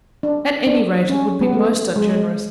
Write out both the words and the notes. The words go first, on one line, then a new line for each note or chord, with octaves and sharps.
At any rate it would be most ungenerous.
D4
D4
C#4
B3
A3
G#3